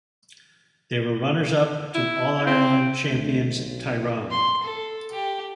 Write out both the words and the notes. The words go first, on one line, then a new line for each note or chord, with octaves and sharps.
They were runners-up to All-Ireland champions Tyrone.
E4
C4
D2
B1
C6
A4
G4